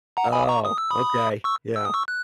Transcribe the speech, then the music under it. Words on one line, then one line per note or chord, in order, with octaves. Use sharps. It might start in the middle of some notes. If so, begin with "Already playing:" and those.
Oh, okay, yeah.
F#5 A#5
G#5 B5
A#5 C#6
D#6
E6
B5 D#6
C#6 E6
E6
D#6
C#6 E6
F#6